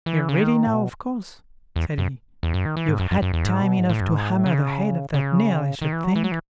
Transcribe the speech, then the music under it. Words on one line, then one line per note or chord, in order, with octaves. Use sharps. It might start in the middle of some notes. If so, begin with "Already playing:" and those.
'You're ready now, of course', said he; 'you've had time enough to hammer the head of that nail, I should think.'
E3
C#3
D#3
A2
B2
E2
F#2
E2
F#2
D#3
E3
G#2
F#2
F#2
F#2
E2
G#2
B2
G#2
A2
F#2
A2
G#2
A2
C#3
C#3
D#3
E3
F#3
E3
F#3
E3